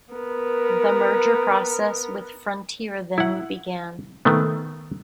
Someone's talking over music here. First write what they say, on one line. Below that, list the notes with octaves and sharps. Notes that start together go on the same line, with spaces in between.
The merger process with Frontier then began.
B3 A#4
E4 F#5
D#3 A3 B3